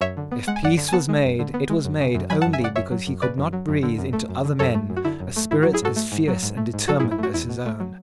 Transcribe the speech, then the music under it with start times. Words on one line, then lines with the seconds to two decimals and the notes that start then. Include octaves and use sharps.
If peace was made, it was made only because he could not breathe into other men a spirit as fierce and determined as his own.
0.01 F#2 C#5 E5
0.17 D3
0.32 B3
0.47 G#3 F#5
0.56 G#5
0.63 F#2 D5 F#5
0.77 D3
0.89 G#5
0.93 B3 F#5 A5
1.09 G#3
1.24 F#2
1.39 D3
1.54 B3
1.70 G#3
1.85 F#2
2.00 C#3
2.15 F#2
2.30 F#3 G#5 B5
2.41 F#5 A5
2.46 F#2
2.53 E5 G#5
2.60 C#3 D5 F#5
2.76 F#2 C#5 E5
2.91 F#3
3.07 F#2
3.22 C#3 B4 D5
3.38 F#2
3.53 F#3
3.68 F#2
3.83 D3
3.98 F#2
4.13 A3
4.29 F#2
4.45 D3
4.59 F#2 A4 C#5
4.75 A3
4.90 F#2
4.96 F#4
5.04 D3 E4
5.20 F#2
5.36 A3
5.51 G#2 E4
5.63 F#4
5.66 F#3
5.73 E4 G#4
5.82 G#2 F#4 A4
5.96 A3
6.12 G#2
6.28 F#3
6.43 G#2
6.57 A3
6.74 G#2
6.88 F#3 F#4 A4
6.99 E4 G#4
7.03 G#2
7.11 E4
7.18 A3 F#4
7.34 E2 E4
7.49 B2
7.65 A3
7.80 F#3